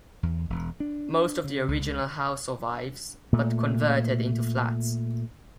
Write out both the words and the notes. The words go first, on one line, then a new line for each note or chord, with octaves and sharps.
Most of the original house survives, but converted into flats.
E2
E1
D4
C#3
C#2
C#2
A#2 A3